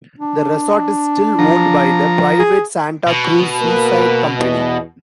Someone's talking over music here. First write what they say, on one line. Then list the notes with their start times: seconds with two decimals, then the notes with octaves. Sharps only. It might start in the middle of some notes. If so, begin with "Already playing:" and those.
The resort is still owned by the private Santa Cruz Seaside Company.
0.19 D4
1.39 F3 A#5
2.39 G#4
3.07 B2
3.60 A#3 A#4 B4
4.37 E2 B3 D#5